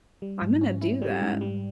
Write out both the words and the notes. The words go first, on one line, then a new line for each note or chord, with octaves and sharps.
I'm gonna do that.
G3
G#2
C#4
E4
G3
G#2
G3